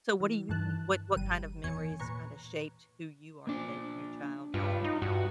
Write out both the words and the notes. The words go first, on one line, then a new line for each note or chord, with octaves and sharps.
So, what do you think? What what kind of memories kinda shaped who you are today from your childhood?
E3
G2 D#3 E3 A5 F#6
G1 G3 D#7
E2 C#5 G#5 C#7
A#2 B4 A#5 C#6
A#3 D4
G2 F4 B4
D#4
G2 F#4